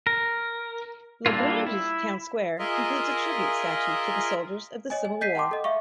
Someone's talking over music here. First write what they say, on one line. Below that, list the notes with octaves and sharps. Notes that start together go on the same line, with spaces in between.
LaGrange's town square includes a tribute statue to the soldiers of the Civil War.
A#4
G3 A#3 D4 E4 F4
E4
F4 G#4 A#4 D#5 E5
C#5 D#5 G#5
G#5
D#5 G6 B6 C7 D#7
F#5 G5 A5 C6 D6
A4 D#5
E5 F5 C#6